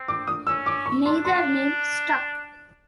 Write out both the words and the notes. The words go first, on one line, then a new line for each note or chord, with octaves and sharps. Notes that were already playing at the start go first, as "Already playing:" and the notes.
Neither name stuck.
Already playing: C4
D6
D#6
C#4 E6
D6
C#6
D4 C6
C6